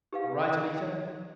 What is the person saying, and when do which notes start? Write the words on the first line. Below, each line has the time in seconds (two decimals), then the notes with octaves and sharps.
"All right, Anita?"
0.13 G4 B4 F5